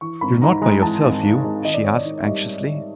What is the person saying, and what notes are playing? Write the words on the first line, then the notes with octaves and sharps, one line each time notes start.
"You're not by yourself, Hugh?" she asked anxiously.
E3 C#6
G#1 B5
G#2 A#5
G#3 A#5
E3 A5
G#1
G#2
G#3
D#3 D#5
D5
G#1 C#5
D5
G#2
E5
G3 D#5